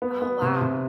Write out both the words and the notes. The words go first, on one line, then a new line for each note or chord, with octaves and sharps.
Oh, wow.
B3
B3
C3
C3